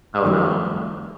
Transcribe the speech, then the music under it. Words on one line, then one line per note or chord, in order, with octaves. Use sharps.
Oh, no.
F2 D#3 G3 A3